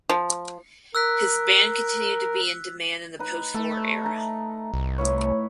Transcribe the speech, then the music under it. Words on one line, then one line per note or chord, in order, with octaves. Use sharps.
His band continued to be in demand in the postwar era.
F3
A#4 E6 F#6 B6
D#4 B4
A3 A4
D#4 A#5
C2
A2 B4 C#5